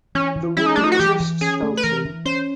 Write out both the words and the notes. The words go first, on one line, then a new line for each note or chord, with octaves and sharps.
The wool resists felting.
E3 C#4
E3
C#4 E4
D#4
A3 D4
D#4
F#4
E3 G4
E3
C#4 G#4
A3
B4
E3 A#4
E3
C#4 C5